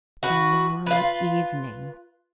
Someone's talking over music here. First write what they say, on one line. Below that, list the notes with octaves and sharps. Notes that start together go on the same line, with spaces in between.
To-morrow evening!
F#4 B4
F4 B4